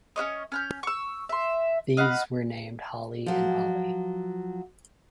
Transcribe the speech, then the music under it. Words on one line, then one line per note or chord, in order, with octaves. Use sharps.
These were named "Holly" and "Olly".
C#4 F#4 C#5 D#5
C#4 F6 G6
C#6 E6
E5 C6
D#5 F5 F#5 B5
F3 F#3